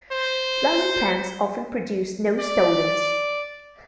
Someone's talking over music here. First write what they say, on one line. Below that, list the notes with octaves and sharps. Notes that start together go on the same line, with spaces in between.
Flowering plants often produce no stolons.
C5
D5